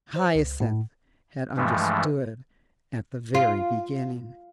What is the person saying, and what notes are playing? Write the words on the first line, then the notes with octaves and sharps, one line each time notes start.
Hyacinth had understood at the very beginning.
C5
C#2
A2
G2 E3 F3 G#3 A3
F4